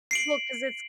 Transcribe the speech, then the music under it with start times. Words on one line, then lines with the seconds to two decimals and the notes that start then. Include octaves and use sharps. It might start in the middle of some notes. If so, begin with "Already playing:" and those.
Well, 'cause it's
0.11 C7 D7 F#7